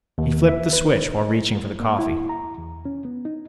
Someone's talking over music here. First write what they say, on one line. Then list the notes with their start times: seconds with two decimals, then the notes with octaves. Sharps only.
He flipped the switch while reaching for the coffee.
0.18 D#2
0.48 E5
0.73 B4
1.80 A#3
1.99 E4
2.29 A#5
2.58 E2
2.85 C#4
3.05 B3
3.25 D#4